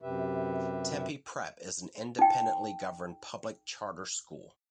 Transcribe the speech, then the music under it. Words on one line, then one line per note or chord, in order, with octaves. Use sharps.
Tempe Prep is an independently-governed public charter school.
F#2 C3 G4 B4 E5
D#4 G5